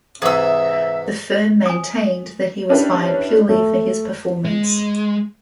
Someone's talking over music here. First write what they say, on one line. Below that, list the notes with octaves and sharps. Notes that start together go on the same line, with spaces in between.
The firm maintained that he was fired purely for his performance.
G#2 C3 E3 G#4 E5 E6
G#5 D#6
C#4 D4 E4 G4 B4
A3
G#3